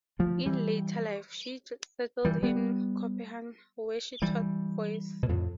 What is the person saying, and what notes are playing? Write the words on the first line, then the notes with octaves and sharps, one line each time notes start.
In later life she settled in Copenhagen where she taught voice.
F3 A3
E3 G3
E3 G3
G3 B3
E3 G3
B2
F2 A2